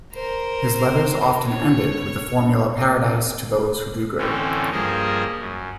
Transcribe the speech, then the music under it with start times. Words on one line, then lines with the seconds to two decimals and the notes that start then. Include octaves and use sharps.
His letters often ended with the formula "Paradise to those who do good".
0.15 A#4 C5
1.46 C#5
4.18 A2 D3 E3 C4 C#4
4.72 G2 F3 A#3 G#4 D#5
5.39 F#2